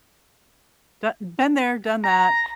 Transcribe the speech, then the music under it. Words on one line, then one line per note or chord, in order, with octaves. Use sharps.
Do been there, done that,
A#5